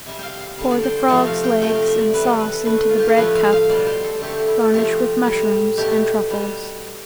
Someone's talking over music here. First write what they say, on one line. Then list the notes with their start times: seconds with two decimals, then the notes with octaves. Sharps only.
Pour the frogs legs and sauce into the bread cup, garnish with mushrooms and truffles.
0.06 C3 G3 E5
0.19 F5 G5
0.40 F5
0.58 D3 G3
0.71 D5
0.83 C5
0.97 C5
1.08 C3 F3 A3 A4
1.27 F5
1.44 G5
1.62 C3 F3 A3 G5
1.75 F5
1.87 E5
2.01 D5
2.13 C3 E3 G3 B4
2.27 A4
2.39 B4
2.52 A4
2.65 D3 A3 B4
2.89 F4
2.98 G4
3.08 A4
3.17 A2 F3 A3 B4
3.35 F5
3.53 F5
3.69 B2 G3 D5
3.87 C5
4.04 A4
4.20 D3 A3 G4
4.28 A4
4.35 G4
4.47 E4
4.60 F4
4.73 C3 F3 A3 G4
5.25 A2 G3
5.77 B2 A3 G4
6.29 B2 G3